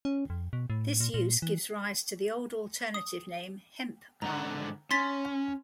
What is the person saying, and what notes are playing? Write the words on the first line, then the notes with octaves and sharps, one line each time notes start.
This use gives rise to the old alternative name "hemp-palm".
C#4
F2
B2
A2
A#2
A#2
E3
D#6
G#2 D3 F#5 A#5
C#4 C6 A6 B6